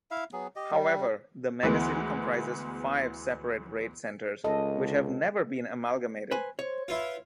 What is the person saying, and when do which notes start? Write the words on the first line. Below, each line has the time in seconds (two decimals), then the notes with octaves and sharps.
However, the megacity comprises five separate rate centres which have never been amalgamated.
0.11 E4 E5 F5
0.33 F#3 B3 G#4
0.56 G4 D#5
0.71 G3
1.63 D2 E3 G#3 B3
4.44 C#2 A4 D#5
6.31 B4 C5 G#5
6.59 C5 C#5
6.88 E4 F4 B4